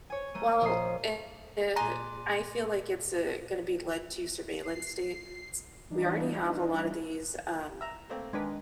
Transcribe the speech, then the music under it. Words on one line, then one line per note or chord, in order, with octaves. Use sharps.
Well, a uh, I feel like it's, uh, gonna be led to surveillance states. We already have a lot of these, um,
C#5 G#5
A3 A#3 D#7
A#1 D#5 D#6 C7
A#2 G#4 D5 G#5 A#5 C6 F#6
C7
E3 G3 D4 D#4
E5 A#5
A3 A#3 C4
D#3 G#3 D4 B4